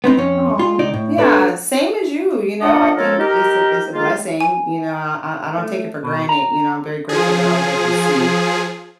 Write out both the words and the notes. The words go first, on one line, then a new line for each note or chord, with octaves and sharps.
Aw, yeah. Same as you, you know? I think it's a it's a blessing, you know, I I I don't take it for granted, you know, I'm very grateful that I was able to see
B3 C4 D4 D#4
F2 C#4
F4
C#2 D#4 D5
A2
D4 F#4 A4 B4 D5
C#4 D4 F4 D5 D#5 F#5
F3 G#3 C#4 A4 A#4 C#5
D#4 G4 A#4
G#3 A#3 D#4 F4
G#5
A3
B2
A#5
F3 G#4